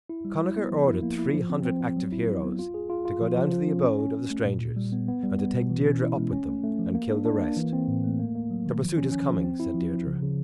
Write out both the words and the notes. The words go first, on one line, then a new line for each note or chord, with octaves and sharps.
Connachar ordered three hundred active heroes to go down to the abode of the strangers, and to take Deirdre up with them and kill the rest. "The pursuit is coming," said Deirdre.
E4
G3
E4
B3
F3
E4
A#3
E4
F3
C4
C4
C4
F#3
E4
F#3
B3
F4
G#4
F4
F4
F3
F3
F3
C#4
C#4
C#4
C#4
A3
A#2
A#2
G3
B3
B3
G3
B3
B2
E3
C#4
E4
G#3
C#4
A3
A3
F3
A#3
D4
D4
A#3
E3
C4
A2
A3
A#3
A#3
F#3
D#3
F3
C#4
C#4
F3
C4
E4
F3
F3
C#3
C#3